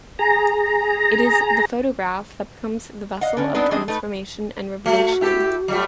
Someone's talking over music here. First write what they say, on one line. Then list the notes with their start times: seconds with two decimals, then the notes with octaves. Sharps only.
It is the photograph that becomes the vessel of transformation and revelation.
0.19 G#4 A#5
3.21 D#5 F5 F#5
3.37 D3 C#4
3.54 G#3 B3 C4 D4 D#4 B4
3.71 E3 G#3 C4 D4 G#4 D#5
3.88 A3 D#4 B4
4.86 A3 F#4
5.21 E4 G4 A4
5.68 F#3 G3 A3